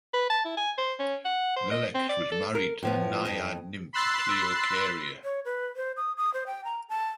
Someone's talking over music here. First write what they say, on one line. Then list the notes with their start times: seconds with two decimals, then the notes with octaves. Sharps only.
Lelex was married to the Naiad nymph Cleocharia.
0.14 B4
0.30 A5
0.45 E4
0.57 G#5
0.78 C5
0.99 C#4
1.25 F#5
1.56 C5
1.71 D#5
1.95 C4
2.09 D5
2.32 A4
2.55 A#4
2.83 A2 F3 B3
3.25 F2 D#5
3.93 B5 C6 E6 F#6 A6 C7
5.24 C#5
5.45 B4
5.76 C5
5.97 D#6
6.17 D#6
6.34 C5
6.47 G5
6.65 A#5
6.89 A5